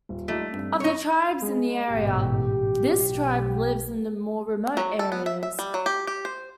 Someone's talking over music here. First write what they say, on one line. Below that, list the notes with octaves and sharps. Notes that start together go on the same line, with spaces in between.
Of the tribes in the area, this tribe lives in the more remote areas.
D#1
G3 A3 D#4 F4
G2 C4
D#4 C#5
G#3
A1 G#2 B2 G4
B1
F#3
A4
B3
E5
E5
G3
F#3
G4
G4
C5